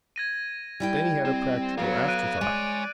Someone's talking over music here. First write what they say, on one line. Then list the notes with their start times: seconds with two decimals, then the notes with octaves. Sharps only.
Then he had a practical afterthought.
0.16 G#6 A#6 D#7
0.80 G3 E4 G5
1.25 C4
1.77 F#3 B3 A4 F5
2.08 F#6 D7 D#7
2.41 G#3 C#5 D5 G#5